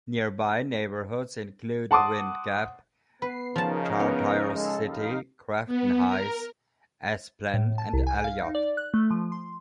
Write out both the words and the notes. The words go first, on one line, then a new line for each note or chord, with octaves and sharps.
Nearby neighborhoods include Windgap, Chartiers City, Crafton Heights, Esplen, and Elliott.
F#5 A5 C6 D6 D#6
B3 B4 C7
C#3 F3 D#4 A#4 A5
B3 C#4
G#3 A4
D#2 D#4 F5
B3
A#4
A2
A5
C2
G#5
F5
D#4
D5
F#6
A3
F3
C6